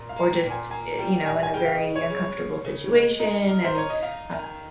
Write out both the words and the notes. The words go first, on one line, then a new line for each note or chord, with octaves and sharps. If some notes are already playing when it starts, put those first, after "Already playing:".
or just, eh, you know, in a very uncomfortable situation and, um,
Already playing: A#2
F5
A#3
G5
A#2
G#5
A#3 G#5
G3 G5
A#2 G#5
G#5
C#3 G5
F5
D#5
C#3
C#5
C#3
C#5
C#3
C#3
G#3
D#4 D#5
A#4
C5
D#4 C#5
D#5
D#4 F5
D#3